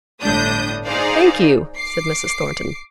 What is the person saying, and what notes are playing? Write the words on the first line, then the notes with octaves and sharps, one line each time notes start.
'Thank you,' said Mrs. Thornton.
G1 A2 D4 D#6 G6
D#4 G#4 C5 D5 F5
D6 C7